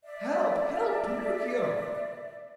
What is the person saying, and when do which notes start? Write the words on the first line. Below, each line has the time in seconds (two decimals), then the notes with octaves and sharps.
"Help, help, Pinocchio!"
0.03 D5 E5